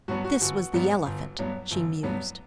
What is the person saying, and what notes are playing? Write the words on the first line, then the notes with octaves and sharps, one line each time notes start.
"This was the elephant," she mused.
G2 F#3 B3 F#4
F#4
G1 F#4
G2 F#3 B3
G1
G2 F#3 B3
G1
G2 F#3 B3